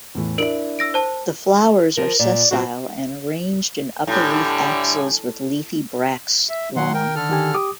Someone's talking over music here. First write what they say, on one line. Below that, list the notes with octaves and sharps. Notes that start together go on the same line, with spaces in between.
The flowers are sessile and arranged in upper leaf axils with leafy bracts long.
E2 A2 E3
D4 E4 A#4 D5 D7 F#7
E6 A#6 D7
C5 A5
F3 A#4
A#2 D5
A#2 F#3 C4 F#4
A2 D3 G3 G#5
E5
D#3 F#3 F#5 C6
A#4 G5
D3 A4 F6
D#3 G4 G#5
G4 D6 D#6